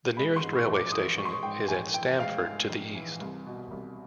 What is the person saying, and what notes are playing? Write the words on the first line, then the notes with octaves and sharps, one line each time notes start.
The nearest railway station is at Stamford to the east.
G#3 B5
C6
G#2
C#6
A#1
D6
E3 D#6
G#3 C#6
C6
C#6
G#2 G5
A#1 G#5
E3 G5
G#3 F5
G#2
A#1
E3
C2
B2
C2